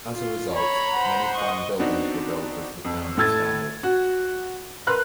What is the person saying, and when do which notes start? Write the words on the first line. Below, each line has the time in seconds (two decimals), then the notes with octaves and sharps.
As a result, many fine buildings were built as the town expanded.
0.14 F4
0.56 C#5 A#5 B5
0.93 C5 F#5
1.35 D#5 C#6
1.79 B3 C4 D4 D#4 F#4
2.85 F2
3.17 A2 A3 E6 G#6 A6
3.83 F#4
4.87 A#4 B4 C6 F#6